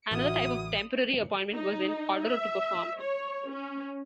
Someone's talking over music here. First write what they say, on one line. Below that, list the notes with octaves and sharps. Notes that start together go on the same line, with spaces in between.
Another type of temporary appointment was an "order to perform".
A1 D3 A#3 E4 F#4 D#6
D#4
E5
C#5
C#4